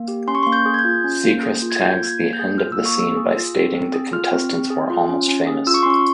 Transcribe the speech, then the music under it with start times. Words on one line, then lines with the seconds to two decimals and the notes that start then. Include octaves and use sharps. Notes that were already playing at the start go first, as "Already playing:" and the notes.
Seacrest tags the end of the scene by stating the contestants were almost famous.
Already playing: A#3
0.08 G4
0.28 C#4 C6
0.35 C#6
0.43 A#3 C6
0.52 G6
0.66 G#4
0.74 G#6
0.79 G6
0.85 F4
1.04 C#4
1.24 A#3
1.43 G#4
1.62 F4
1.71 G#6
1.81 F4 G6
2.01 A#3
2.07 G#6
2.20 A#3
2.33 G6
2.39 G#4
2.58 F4 F6
2.72 E6
2.77 A#3
2.85 C#6
2.96 A#3 E6
3.17 G#4
3.36 F4
3.55 C4
3.74 C4
3.93 G#4
4.12 F4 F6
4.32 C4
4.51 C4
4.70 G#4
4.90 F4
5.09 C#4
5.28 C#4
5.47 G#4
5.67 F4 E6
5.74 C#6
5.83 C6
5.86 C#4 C#6